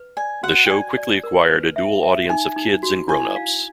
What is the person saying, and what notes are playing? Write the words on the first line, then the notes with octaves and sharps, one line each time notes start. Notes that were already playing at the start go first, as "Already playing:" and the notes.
The show quickly acquired a dual audience of kids and grownups.
Already playing: B4
D5 G#5
F#4 F#5
G5
D5 G#5
D5
A#4
B4
E5
E5
D#4 G#5
D#4
F#4
E4 G#5
F5